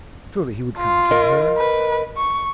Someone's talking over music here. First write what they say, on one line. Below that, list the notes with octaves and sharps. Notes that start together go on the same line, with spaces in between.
Surely he would come to her!
F4
A#4 D#5
B4
C#6